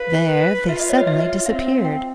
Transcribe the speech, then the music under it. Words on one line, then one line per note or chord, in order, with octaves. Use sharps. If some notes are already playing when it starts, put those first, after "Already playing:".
There they suddenly disappeared.
Already playing: B4 F5
B4
F4 E5
D#5
C#5
D#5
E5
C4 F5
G5